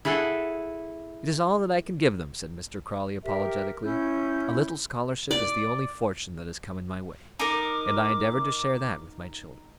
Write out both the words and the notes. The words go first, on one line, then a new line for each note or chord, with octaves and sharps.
"It is all that I can give them," said Mr. Crawley, apologetically. "A little scholarship is the only fortune that has come in my way, and I endeavour to share that with my children."
E4 G#4 A4 F#5
G4 A#4 E5
C#4 E4 G6
D5
D#4 A#4 D6